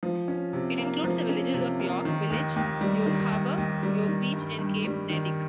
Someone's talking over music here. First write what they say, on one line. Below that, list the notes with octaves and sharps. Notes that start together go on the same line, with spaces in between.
It includes the villages of York Village, York Harbor, York Beach and Cape Neddick.
F3
C#4
C3
A#3
F3
C#4
C3
A#3
D#3
D#2
D#2
G3
D#3
D#2
D#2
G3
D#3
G2
G2
G3
D#3